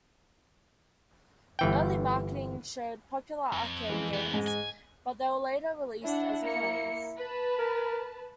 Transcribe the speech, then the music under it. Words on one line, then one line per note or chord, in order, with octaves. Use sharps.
Early marketing showed popular arcade games, but they were later released as clones.
G1 E3 G5
F2
E3 G#3
F2 B3
G#2 G#3 D#5
G#5
D4 E4 F#5
A#3 C#7
B4 A5
A#4